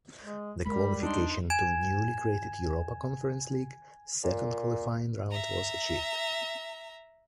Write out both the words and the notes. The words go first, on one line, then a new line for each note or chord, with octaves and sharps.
The qualification to the newly created Europa Conference League second qualifying round was achieved.
G#3
G3 G#3 A#4 B5
D4 D#4 C6
G#5 G#6 E7
A#2
E5 A#5